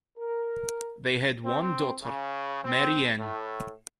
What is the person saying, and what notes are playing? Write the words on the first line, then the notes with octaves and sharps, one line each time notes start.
They had one daughter: Marie-Anne.
A#4
C4
C#3
C4
A2